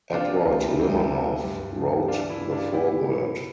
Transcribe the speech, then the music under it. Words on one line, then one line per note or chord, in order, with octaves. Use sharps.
Edward Limonov wrote the foreword.
C3 D4 F4
D2
D2
C3
G2
F3
E3 D4 F4
E4
G2
D4 F4
B2 E4 G4
B2